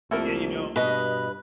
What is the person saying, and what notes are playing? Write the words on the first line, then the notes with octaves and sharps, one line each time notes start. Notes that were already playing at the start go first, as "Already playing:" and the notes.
Yeah, you know,
C2 F2 A3 A#3 A#4
G2 B2 B4 D#5